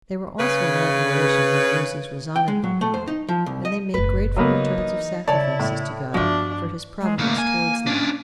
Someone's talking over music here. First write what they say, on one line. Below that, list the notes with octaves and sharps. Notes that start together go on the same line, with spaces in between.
They were also in admiration how Moses was honored by God; and they made grateful returns of sacrifices to God for his providence towards them.
C#3 B4
G5
G#3
F#3
A3
C5
D#4
F3
C2
D#5
F#1 A2 B4
C#3 F#3 A#3 B3 D#4
E3
C#3 E4 C#5 D5 A5
A2
G2 F3 B3 D4 F#4 E5
G#3
C#3 A3 A#3
G#5
C#4 D4